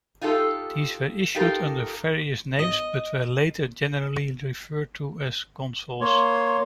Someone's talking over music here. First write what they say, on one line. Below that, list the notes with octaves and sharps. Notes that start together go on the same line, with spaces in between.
These were issued under various names but were later generally referred to as Consols.
D#4 F4 G4 A4
D#4 F4 G4 A4 A#4
D#5
A#3 C#5 C6